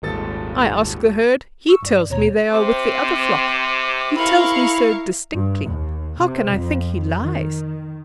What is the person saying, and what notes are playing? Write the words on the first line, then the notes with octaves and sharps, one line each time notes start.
I ask the herd; he tells me they are with the other flock; he tells me so distinctly; how can I think he lies?
D#1 G#1 A4 A6
C#6 E6
G2 D5
D#2 B2 C#5 A#5
C3 C4 C6 D6
E4 A#4 F5 B5 C#6
G2
D#2
C3
F2
D#3